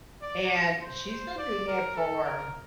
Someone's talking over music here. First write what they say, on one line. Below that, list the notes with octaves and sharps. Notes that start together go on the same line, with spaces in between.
And she's been doing that for
D5
C5
C5
D5
A#4
A4
A#4